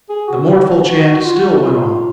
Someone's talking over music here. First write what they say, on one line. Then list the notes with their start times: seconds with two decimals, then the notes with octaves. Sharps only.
The mournful chant still went on.
0.09 G#4
0.28 F#4
1.24 F4
1.35 F#4
1.48 F#4
1.60 F4